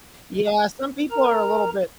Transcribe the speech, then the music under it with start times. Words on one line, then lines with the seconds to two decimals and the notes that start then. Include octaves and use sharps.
Yeah, some people are a little bit
1.11 A#4 A#5